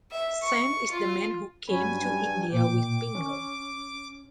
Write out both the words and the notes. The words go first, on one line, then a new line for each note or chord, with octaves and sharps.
Sen is the man who came to India with Pingle.
E5
C#6
F4
G2 F#3 C#4 G#5 B5
A#2 G5 D6
C#4